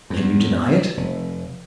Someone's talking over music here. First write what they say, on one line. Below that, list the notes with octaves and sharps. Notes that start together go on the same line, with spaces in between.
Can you deny it?
E2
F1